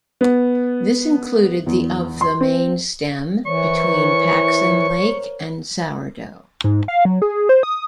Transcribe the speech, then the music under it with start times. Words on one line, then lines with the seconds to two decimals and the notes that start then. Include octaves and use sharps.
This included the of the main stem between Paxson Lake and Sourdough.
0.21 B3
1.66 E2
2.21 C6
2.41 C4
3.46 E3 A#4 C5 C#5 C#6
6.64 G#2
6.88 F5
7.05 F#3
7.22 G#4
7.49 C5
7.63 D#6